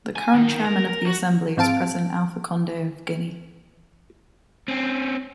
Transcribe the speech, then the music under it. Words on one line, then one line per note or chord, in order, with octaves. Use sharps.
The current Chairman of the Assembly is President Alpha Conde of Guinea.
G#5
D#3
D#3
A#4
A#4
F#4
G#2 C4 F5 A5 D7
C4 C#4